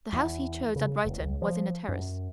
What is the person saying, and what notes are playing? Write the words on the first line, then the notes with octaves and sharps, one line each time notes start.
The house he chose at Brighton was in a terrace.
E2
C#3
E1
C#2
F3
F#2